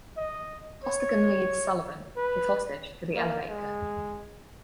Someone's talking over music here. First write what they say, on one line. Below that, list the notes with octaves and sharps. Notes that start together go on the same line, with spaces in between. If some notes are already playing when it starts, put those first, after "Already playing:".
Costigan leads Sullivan, his hostage, to the elevator.
D#5
C#5
B4
A#3
G#3